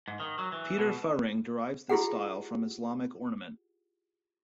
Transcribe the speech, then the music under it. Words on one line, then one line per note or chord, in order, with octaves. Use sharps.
Peter Fuhring derives this style from Islamic ornament.
G#2
D#3
F#3
E3
B2
E4 F4 G4 G#4 F#5